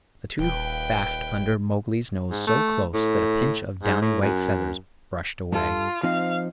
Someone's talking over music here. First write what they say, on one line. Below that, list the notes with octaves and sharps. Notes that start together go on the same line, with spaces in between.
The two baffed under Mowgli's nose so close that a pinch of downy white feathers brushed away.
D#1 B4 G5
G#2
A3
A2
G#2
A2
F#2
G2 F4 A4
F3 C4 D#4 F5